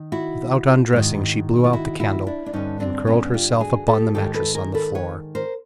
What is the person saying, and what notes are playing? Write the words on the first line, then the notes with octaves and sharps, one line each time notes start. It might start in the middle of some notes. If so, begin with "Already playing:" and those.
Without undressing she blew out the candle and curled herself upon the mattress on the floor.
Already playing: D#3
E4 F#4
G#2 D#3
F4
E4 F#4
E4 F#4
D4 E4
D4
G2 D3 C#4 D#4
C4 D4
B3 C#4
F4 G4
F#4 G#4
G4 A4
G#2 D#3 G4 A4
A4 B4
G#4 A#4
A4 B4
B4 C#5
A#4 C5